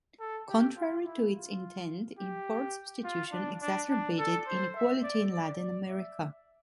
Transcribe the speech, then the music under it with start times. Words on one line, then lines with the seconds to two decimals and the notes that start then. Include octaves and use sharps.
Contrary to its intent, import substitution exacerbated inequality in Latin America.
0.20 A4
0.49 G4
0.77 F4
1.06 E4
1.34 F4
2.19 G4
3.04 F4
3.32 D4
3.62 D4
3.89 D4
4.18 A4
4.47 C5
4.76 E5
5.04 D5
5.32 D5
5.60 D5
5.89 E5